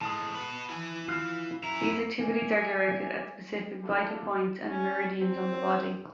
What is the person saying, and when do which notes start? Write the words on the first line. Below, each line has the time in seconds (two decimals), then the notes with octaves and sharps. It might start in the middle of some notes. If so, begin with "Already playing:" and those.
These activities are directed at specific vital points and meridians on the body.
0.01 A2 G#3 A5 D#6
0.35 F#4 B4
0.70 E4 G#5
1.08 F4 F6 F#6
1.63 F#2 E4 A#5
2.21 D5 E5 G#5
3.82 D4 E4 F4 G4 A4
4.69 C#4
5.22 C4